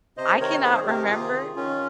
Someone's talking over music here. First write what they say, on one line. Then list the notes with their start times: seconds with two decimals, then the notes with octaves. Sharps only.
I cannot remember.
0.17 C3 C5 D#5
0.40 D#3 A#4 C#5
0.64 D#3 G#4 C5
0.86 C3 G4 A#4
1.10 C3 F4 G#4
1.33 D#3
1.56 D#3 C#4 F4